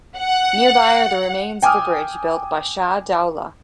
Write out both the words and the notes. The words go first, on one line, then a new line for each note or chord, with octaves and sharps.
Nearby are the remains of a bridge built by Shah Daula.
F#5
G5 G#5 D6 D#6 F6